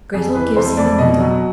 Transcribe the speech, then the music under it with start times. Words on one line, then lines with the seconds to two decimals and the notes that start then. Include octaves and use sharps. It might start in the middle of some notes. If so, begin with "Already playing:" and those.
Grettel gives him a needle.
0.14 F2 G#4
0.35 E3 B4
0.57 F2 C5
0.77 F2 D5
0.98 B2 D#5
1.20 F#3